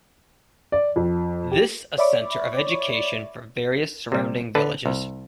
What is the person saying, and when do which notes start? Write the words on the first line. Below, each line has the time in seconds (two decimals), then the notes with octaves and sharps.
This a center of education for various surrounding villages.
0.72 D5
0.96 F2
1.52 G4
1.98 C#5 D5 E5 B5 C#6 D6
4.12 C3 G3
4.55 D3 B4 A5
4.86 C2